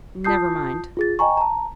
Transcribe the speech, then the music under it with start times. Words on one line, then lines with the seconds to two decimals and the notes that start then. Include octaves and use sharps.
Never mind.
0.24 F4 A5 D#6 G6 C7
0.97 F4 G#4 A6
1.19 D#5 G5 G#5 A#5 C#6
1.37 A5 A#5